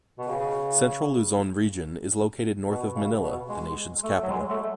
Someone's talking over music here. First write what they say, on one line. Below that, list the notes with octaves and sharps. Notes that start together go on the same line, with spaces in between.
Central Luzon Region is located north of Manila, the nation's capital.
B2
C#3
B2
C#3
B2
G#3
A3
F#3
G#3
A3